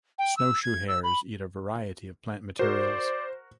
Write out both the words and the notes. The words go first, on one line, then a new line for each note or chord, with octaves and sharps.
Snowshoe hares eat a variety of plant materials.
G5
E6
G#6
E6
B5
F#4 A#4 C5 D5